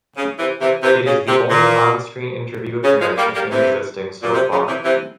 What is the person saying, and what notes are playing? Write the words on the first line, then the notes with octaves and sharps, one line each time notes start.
It is the only on-screen interview appearance of him existing so far.
C#3
C3 E3
C3 E3
C3 E3
C#3
C3
A#2
C#3
F3 G#3
G3 A#3
G3 A#3
C3 E3
A#2
C3
C#3
C3 E3
C3 E3